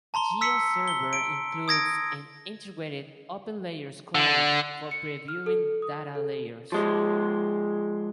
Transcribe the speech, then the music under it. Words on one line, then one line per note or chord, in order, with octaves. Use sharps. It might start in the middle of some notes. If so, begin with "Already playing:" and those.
GeoServer includes an integrated OpenLayers client for previewing data layers.
A5 A#5 C6 G7
E6 B6 C#7
G7
D7
D#6 G#6 A#6 D7
D3
C#7
F6
A4
D#6
A4
F3 G#3